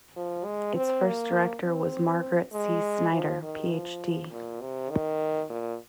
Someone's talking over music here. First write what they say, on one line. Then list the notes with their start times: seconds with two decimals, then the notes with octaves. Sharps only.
Its first director was Margaret C. Snyder, Ph.D.
0.16 F3
0.45 G#3
0.76 C4
1.05 A#3
1.64 C4
2.53 G#3
3.12 F3
3.43 D#3
3.72 F3
4.31 A#2
4.61 C3
4.90 D#3
5.50 A#2